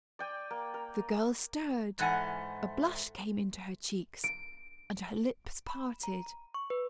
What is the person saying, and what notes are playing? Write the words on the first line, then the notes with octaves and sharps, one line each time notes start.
The girl stirred, a blush came into her cheeks, and her lips parted.
D5 G5 G#5
A#3
A#4
G#2 E3 A3 F#5 G#5
D7
B5
A#5
C#6
B4